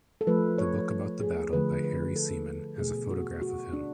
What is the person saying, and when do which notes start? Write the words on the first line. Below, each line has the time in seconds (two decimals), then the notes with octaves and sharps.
The book about the battle by Harry Seaman has a photograph of him.
0.21 A4
0.27 F3 A3 B4
0.58 C#5
1.21 G#4
1.53 D3 F3 A3 B4
1.84 B4
2.16 A4
2.78 B2 A3 G#4
3.10 F#4
3.42 F#4
3.73 D4